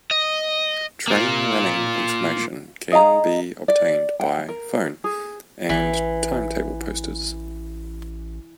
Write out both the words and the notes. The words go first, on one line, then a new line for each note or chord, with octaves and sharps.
Train running information can be obtained by phone and timetable posters.
D#5
A#3 F4
G#4 D#5 F5 A#5
D5
F#5 G5
A#4
G#4
A1 E3